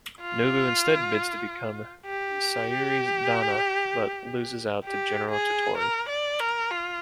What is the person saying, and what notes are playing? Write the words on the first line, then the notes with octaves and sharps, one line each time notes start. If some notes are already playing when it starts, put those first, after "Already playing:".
Nobu instead bids to become Sayuri's "danna", but loses out to General Tottori.
F4
G4
G4
G#4
A#4
D5
A#4
F4